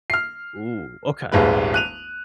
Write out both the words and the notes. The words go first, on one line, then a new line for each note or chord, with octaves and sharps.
Ooh, okay,
F6 C7
D#1 G#1 D#2 G#3 B4
F#6 D#7 F7